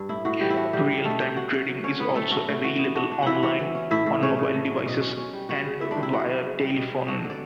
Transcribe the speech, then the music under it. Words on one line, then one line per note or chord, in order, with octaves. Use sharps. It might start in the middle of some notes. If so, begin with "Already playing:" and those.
Real-time trading is also available online, on mobile devices, and via telephone.
Already playing: G2
A2 E4
A2 F#4
E3 G3 G4
E4
D4 F#4
D3 G3 G4
D4
B2 A3 A4
C#4 G4 G5
F#3 F#4 F#5
F#3
F#3
D3 C#4 C#5
A2 B3 B4
A3 B3 A4
A3 F#4
A3
E3 F#4
B3
D4 F#4
D4
E3 E4 E5 F#5
E3 F#4 F#5
E3
C#4
A2 E4 E5
A2
C#3 C#4 C#5
C#3
A3
F#3
B2
C#4
C#4
G3
B3 F#4 F#5
C#3
B3 E4 E5
D4 D5
G3
E4 E5
D3 F#4 F#5
F#3
C#3
G3
B2
B2
D4 F#4 F#5
D3
D5